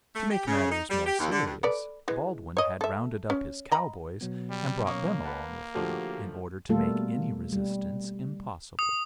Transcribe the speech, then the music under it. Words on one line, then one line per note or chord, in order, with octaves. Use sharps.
To make matters more serious, Baldwin had rounded up his cowboys and brought them along with him, in order to make any resistance impossible.
A3
G4
C#3
D#4
G3
G4
D#2
D3
G2
A4 B4 D5
E3 G#3
C#5 D#5
A4 E5
C#4
D#5 A#5 B5
B2 F#3 B3
G3
A#3 C#4 C#6 D#6
B4 F#5 A5
D3 F3 A3 F#4 G4 A5
B2 G3 A3 A#3 F4 A4
G3
D#6